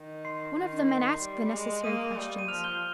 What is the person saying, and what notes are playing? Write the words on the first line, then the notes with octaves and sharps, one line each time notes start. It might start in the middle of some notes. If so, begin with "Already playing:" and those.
One of the men asked the necessary questions.
Already playing: D#3
C6 C7
D#3
C6 C7
G3
G#3
A#3 D#6 D#7
G3
D#7
F3 F6 F7
G6 G7